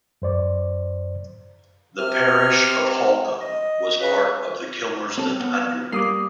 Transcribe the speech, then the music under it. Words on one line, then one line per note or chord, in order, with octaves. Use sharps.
The parish of Holcombe was part of the Kilmersdon Hundred.
F#2 C5 D5
C3 F6
D#5
C#3 B4
C4 C#4 A4
B3
G3 A#3 D6 D#6 C7